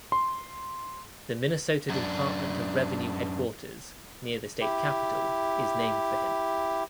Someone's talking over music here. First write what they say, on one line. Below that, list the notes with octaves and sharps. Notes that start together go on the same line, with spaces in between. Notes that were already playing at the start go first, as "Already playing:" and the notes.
The Minnesota Department of Revenue headquarters near the State Capitol is named for him.
C6
F#2 D4
E4 G4